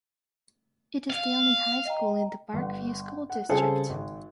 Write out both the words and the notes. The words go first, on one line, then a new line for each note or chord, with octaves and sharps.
It is the only high school in the Parkview School District.
F5
D#5 G5 A#5
G1 F#5
F#5
C#3 G3 C4 G#4 A4
G#1